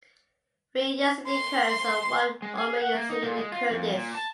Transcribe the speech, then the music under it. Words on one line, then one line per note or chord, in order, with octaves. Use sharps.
Three Yazidi Kurds and one Armenian singing in Kurdish.
C6
G#3
G#4
F#5
A#3
D#4
A#2
G#3
F4
F2
A#2
A5